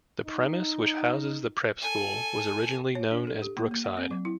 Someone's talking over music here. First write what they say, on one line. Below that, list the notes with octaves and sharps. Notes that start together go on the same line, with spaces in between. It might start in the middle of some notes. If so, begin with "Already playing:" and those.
The premise which houses the prep school was originally known as Brookside.
D#4
A4 G#5
C#5
D4
A4
G4
A#3
A#3
F#5
C4
F#3
E4